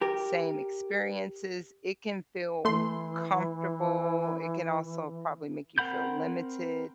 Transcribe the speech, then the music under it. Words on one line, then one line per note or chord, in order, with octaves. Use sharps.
same experiences, it can feel comfortable, it can also probably make you feel limited,
G4 A#4
E3 A3 C6
C4 A#4 F#5 B5 G6